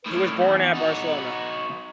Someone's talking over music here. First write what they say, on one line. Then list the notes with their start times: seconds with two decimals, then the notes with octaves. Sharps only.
He was born at Barcelona.
0.06 A2 D#3
0.41 E2
0.75 D#4 F#4